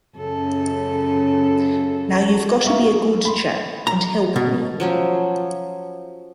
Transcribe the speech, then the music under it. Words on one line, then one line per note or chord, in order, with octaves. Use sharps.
Now you’ve got to be a good chap and help me.
F#2 C#3 A4
E5 F5 A#5 C#6
F#4 G#4
B5 C6
A#5
B2
F3 F#3 C#4